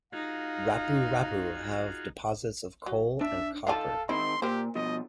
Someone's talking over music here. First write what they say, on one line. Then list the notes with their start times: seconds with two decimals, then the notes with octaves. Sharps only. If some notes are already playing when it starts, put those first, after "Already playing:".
Rapu-Rapu have deposits of coal and copper.
0.13 D#4 F4 F#4 G#4 F5
2.86 F#3
3.21 D4 E5
3.67 D#3 D4 F4 A4 F5 G5 A5
4.09 D#3 C4 D#4 E4 C6
4.42 A#2 G4 A#4 C5
4.75 B2 F3 D#5